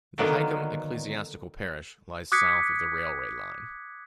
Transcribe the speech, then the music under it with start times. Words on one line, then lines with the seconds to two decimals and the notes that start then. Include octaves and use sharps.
The Hykeham ecclesiastical parish lies south of the railway line.
0.18 D3 D#3 F#3 A#3 B3
2.32 D6 D#6 F#6 G#6 B6 C#7